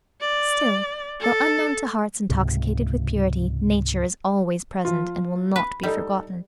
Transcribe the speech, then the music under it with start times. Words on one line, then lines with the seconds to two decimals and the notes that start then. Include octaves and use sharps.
Still, though unknown to hearts intoxicated with purity, nature is always present and will not be forgotten.
0.21 D5
1.20 A4
2.29 C#2 G#2 C3
4.85 F3 F4
5.56 B4
5.83 G3 D#4 A4 D#5